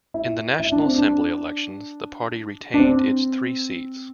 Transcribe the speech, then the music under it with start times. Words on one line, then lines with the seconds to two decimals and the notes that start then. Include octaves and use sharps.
In the National Assembly elections, the party retained its three seats.
0.14 E4
0.60 E4
0.72 D4
0.85 C4
0.98 D4
2.74 D4
2.79 C4